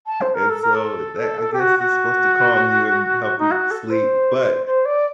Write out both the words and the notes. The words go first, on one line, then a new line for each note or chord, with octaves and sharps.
and so that, I guess, is supposed to calm you and help you sleep, but,
A5
C5
A#4
A4
A#4
A4
A4
A4
G4
F#4
F#4
D#4
F#4
A4
C5
C5
D5